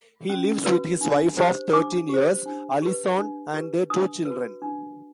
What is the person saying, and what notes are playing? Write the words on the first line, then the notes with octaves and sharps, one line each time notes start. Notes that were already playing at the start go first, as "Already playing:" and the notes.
He lives with his wife of thirteen years, Alison and their two children.
C#4
F#4 B4
D4
G4 C5
D4 D6
G4 C5
D4
G4 B4
D4
G4 B4
D4 D#6
B4
F#4
D4